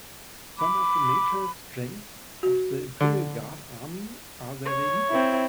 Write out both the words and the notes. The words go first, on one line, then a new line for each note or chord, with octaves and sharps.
Some of the major strengths of the Imperial Guard army are their vehicles.
B5 D6
F#4
D3
C#5
C4 E4